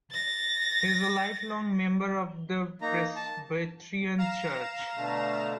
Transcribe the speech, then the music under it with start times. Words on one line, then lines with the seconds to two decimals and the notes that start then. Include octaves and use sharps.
He is a lifelong member of the Presbyterian Church.
0.11 A6 A#6
2.82 A#3 D#4 A#5
3.16 A5
4.18 F5 A#5 E7
4.96 B2 D3 A3